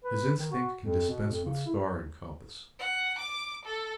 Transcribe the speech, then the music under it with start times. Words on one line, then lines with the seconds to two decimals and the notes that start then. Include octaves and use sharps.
His instinct can dispense with star and compass.
0.05 B4
0.39 D#3
0.52 F#4
0.83 F2
1.09 B2
1.31 F2
1.45 C#3
1.66 E4
2.79 F#5
3.18 D6
3.65 A4